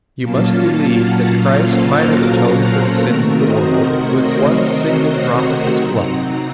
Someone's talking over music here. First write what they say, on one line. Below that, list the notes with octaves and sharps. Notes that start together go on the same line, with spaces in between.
You must believe that Christ might have atoned for the sins of the world with one single drop of His blood.
A#2 F#3 A#3 C#4 F4 F5 A5
F#5 A#5
F#5 A#5
A4 C5
F#4 A#4
F#4 A#4
C3 D#3 A3 C4 F#4 A#4
C5 D#5
C5 D#5
A#4 C#5
F#4 A#4
A#4 C#5
D#5 F#5
C3 F#3 C4 D#4 F#5 A#5